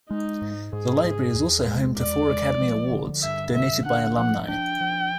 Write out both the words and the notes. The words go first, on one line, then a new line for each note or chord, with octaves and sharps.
The library is also home to four Academy Awards, donated by alumni.
G#3 D#4
G#2
G#2 G#4
G#2
E2
G#3
E2 D5
G#3
F3
D3
G2 E5
D3 E5
D4 F#5
F3 F#5
D4 G5
F3